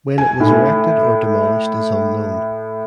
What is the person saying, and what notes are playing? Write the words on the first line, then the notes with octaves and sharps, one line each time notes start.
When it was erected or demolished is unknown.
G#5
A2